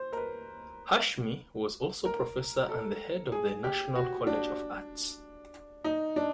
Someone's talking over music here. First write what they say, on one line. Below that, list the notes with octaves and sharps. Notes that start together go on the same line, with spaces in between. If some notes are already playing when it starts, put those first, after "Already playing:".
Hashmi was also professor and the head of the National College of Arts.
Already playing: C5
A#4
B4
A#4
A4
G#4
G4
F#4
D4
D#4
D4